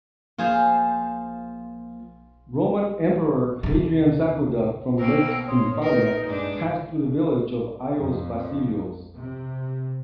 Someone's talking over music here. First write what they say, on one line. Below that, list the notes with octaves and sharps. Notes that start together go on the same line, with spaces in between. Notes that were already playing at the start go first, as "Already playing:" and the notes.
Roman emperor Hadrian's aqueduct from Lake Stymfalia passed through the village of Ayios Vasilios.
F3 A#3 F4 G#4 C5
D#2 C3
B2 A#3 A#4 C5 G5 A#5 E6
A#2 C#5 C6 D#6
D#4 A#4 B4
G2 G#3 D4
F2
C3